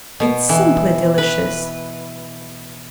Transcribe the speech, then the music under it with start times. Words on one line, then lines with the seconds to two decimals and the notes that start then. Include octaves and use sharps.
It's simply delicious!
0.20 B2
0.49 E3
1.18 B4